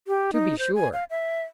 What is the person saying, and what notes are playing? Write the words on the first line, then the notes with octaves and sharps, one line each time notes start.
To be sure.
G4
D#4
C5
G#5
F5
E5